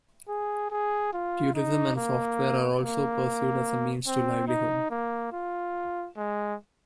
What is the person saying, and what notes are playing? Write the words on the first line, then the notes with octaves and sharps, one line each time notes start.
Tourism and software are also pursued as a means to livelihood.
G#4
G#4
F4
D#4
A#3
A#3
C4
D#4
A#3
F4
G#3